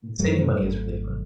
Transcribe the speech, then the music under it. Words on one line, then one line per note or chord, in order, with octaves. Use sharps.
saving money is really fun.
F#2 F#3 A3
G#1